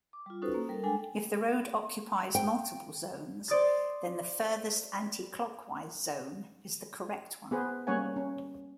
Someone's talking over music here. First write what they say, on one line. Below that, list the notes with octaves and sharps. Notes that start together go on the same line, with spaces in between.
If the road occupies multiple zones, then the furthest-anticlockwise zone is the correct one.
D6
G3 F4
C#4 D#4 F#4 A4 B4 C5
A#3
G3 A4 A#4
G#3 D4 A4 G5 G#5
G5
C5 D5 D#6 A6
B3 G#4 B4 C5
G3 A#3 C#4 C#5 F#5 G#5
C#4